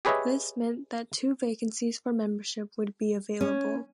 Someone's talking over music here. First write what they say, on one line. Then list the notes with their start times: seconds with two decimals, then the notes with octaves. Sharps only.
This meant that two vacancies for membership would be available.
0.05 G4 G#4 B4 C#5 D#5 E5
3.41 C#4